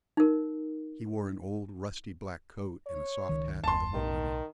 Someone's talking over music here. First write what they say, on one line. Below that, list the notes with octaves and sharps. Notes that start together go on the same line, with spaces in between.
He wore an old rusty black coat and a soft hat with a hole in it.
D#4 A#4
C#5
C#2 D#3
F#1 D#2 A5 C6
B1 A2 D#3